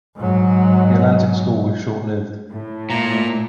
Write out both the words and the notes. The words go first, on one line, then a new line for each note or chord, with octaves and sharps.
The Atlantic School was short lived.
G#2 F#3
A2
A#2 A#5